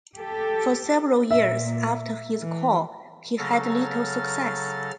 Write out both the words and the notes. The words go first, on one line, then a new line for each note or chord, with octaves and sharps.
For several years after his call he had little success.
G4 A4
A#2 E5
E3
C#3 F#3 A4 A#5 F6 A6